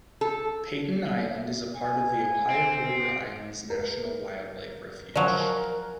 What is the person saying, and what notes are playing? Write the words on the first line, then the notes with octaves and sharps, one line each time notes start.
Paden Island is a part of the Ohio River Islands National Wildlife Refuge.
A4
G#5
C4
A#4 B4
F3 F#3 A#4 D5 G#5 F#6